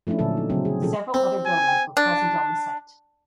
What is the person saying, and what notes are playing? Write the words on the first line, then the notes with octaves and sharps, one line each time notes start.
Several other buildings were present on the site.
F3 A3 C#4 D4 E4
A#2 D3 F#3 A4
D#4
C#3 F#3 C4
G#4
B2 F3 C#4 G#4 A4
C4
G#5
D4